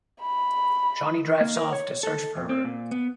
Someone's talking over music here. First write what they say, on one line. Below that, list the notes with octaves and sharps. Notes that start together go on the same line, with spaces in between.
Johnny drives off to search for her.
B5
A#3
A#4
C#5
A4
F2
C4
A#2
B3